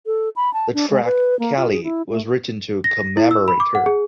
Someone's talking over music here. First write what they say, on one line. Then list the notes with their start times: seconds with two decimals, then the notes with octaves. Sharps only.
The track "Callie" was written to commemorate her.
0.06 A4
0.36 B5
0.53 A5
0.74 D4
0.90 G#3
1.05 B4
1.39 A#3
1.57 F4
1.72 G#4
1.84 E4
2.10 A3
2.84 A#6
3.17 E4
3.31 E6
3.48 B5
3.60 D6
3.75 F#5
3.86 G#4